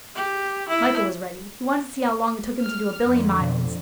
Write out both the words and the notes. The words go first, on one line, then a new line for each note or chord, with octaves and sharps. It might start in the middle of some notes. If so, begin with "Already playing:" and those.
Michael was ready: he wanted to see how long it took him to do a billion miles.
G4
E4
F6
F2 D3
B2